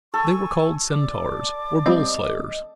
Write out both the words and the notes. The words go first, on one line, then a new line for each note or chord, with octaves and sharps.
They were called Centaurs, or Bull-Slayers.
A4 G#5 C#6 E6
D5 D6
G3 C4 D#5